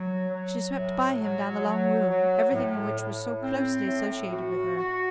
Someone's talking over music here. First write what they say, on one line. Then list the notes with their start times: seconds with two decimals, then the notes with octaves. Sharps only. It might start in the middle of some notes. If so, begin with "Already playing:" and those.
She swept by him down the long room, everything in which was so closely associated with her.
Already playing: F#3
0.31 F#3
0.76 A2
1.21 F#3
1.65 F#3
2.10 F#3
2.54 A2
2.99 A2
3.42 C4
3.87 A2
4.31 F#4
4.76 F#4